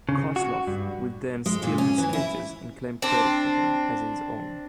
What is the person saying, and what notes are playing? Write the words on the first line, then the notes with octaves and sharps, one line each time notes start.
Kosloff would then steal her sketches and claim credit for them as his own.
C#3
F#4
G2
G#3
A#2
C#4
E3
E4
C4 D4